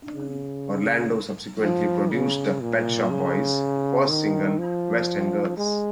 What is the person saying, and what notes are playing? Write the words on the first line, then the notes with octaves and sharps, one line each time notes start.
Orlando subsequently produced the Pet Shop Boys' first single, "West End Girls".
C#3
F3
C#3
A#2
C#3
D#3
F3
G#3